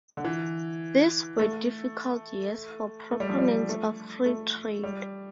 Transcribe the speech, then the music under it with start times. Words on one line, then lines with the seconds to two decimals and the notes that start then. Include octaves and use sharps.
These were difficult years for proponents of free trade.
0.17 D3
0.24 E3
1.40 A3
3.11 A3
3.20 G3
3.30 F3
3.39 G3
3.69 A3
4.26 A3
4.84 G3